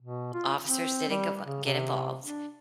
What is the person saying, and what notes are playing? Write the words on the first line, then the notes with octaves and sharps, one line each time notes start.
officers didn't get vo get involved,
B2
F4
C4
G3
C#3
C3
D4